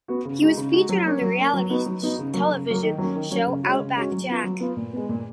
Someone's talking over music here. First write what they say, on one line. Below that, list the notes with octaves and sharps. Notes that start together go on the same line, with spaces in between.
He was featured on the reality television show "Outback Jack".
B3 F#4
C#3
G#3 D#4 F#4
C#3
G#3 D#4 F#4
F#3
A#3 C#4
F#3
A#3 C#4
F#3
B3 D#4 F#4
F#3
B3 D#4 F#4
C#3
F#3 A#3
C#3
F#3 A#3
D#3
F#3 A#3 C#4
D#3
F#3 A#3 C#4
C#3
G#3 C#4 F#4
C#3
G#3 C#4 F#4
F#3
B3 F4
F#3
B3 F4
A#2
G#3 B3
A#2